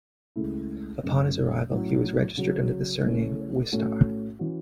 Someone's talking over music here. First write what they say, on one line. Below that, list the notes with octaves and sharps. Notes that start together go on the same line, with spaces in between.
Upon his arrival, he was registered under the surname "Wistar".
C#2 C#3 A3 E4
F#2 C#3 A3
A2 F#3 C#4 E4
C#3 F#3 C#4 F#4
C#3 A3 C#4 E4
A2 A3 C#4 F#4
E3 C#4 F#4